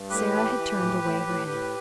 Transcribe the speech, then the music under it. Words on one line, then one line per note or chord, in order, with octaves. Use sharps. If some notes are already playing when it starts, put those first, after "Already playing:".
Sara had turned away her head.
Already playing: G2
A2 G4 B4
E3
E3
A2
A2
A2
A2